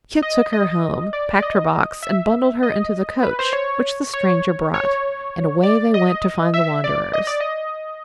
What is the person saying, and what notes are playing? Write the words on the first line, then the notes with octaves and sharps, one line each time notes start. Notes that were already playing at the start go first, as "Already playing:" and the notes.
Kit took her home, packed her box and bundled her into the coach which the Stranger brought, and away they went to find the wanderers.
D#5
D#5
D5
D5
D#5
E5
D#5
B4
C5
C#5
C#5
C#5
D5
D#5
E5
D5
D#5
D5
D#5